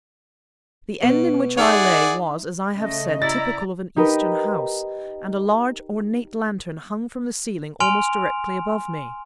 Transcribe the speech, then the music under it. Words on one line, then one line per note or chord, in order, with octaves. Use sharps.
The end in which I lay, was, as I have said, typical of an Eastern house, and a large, ornate lantern hung from the ceiling almost directly above me.
B2
D#4 G#4 D5 E5 F#5 C6
C#3 A3 D#5
E4 D5 A#5 A6
D#4 G4 A#4 B4 D#5
G#5 C6 F6 D7 F7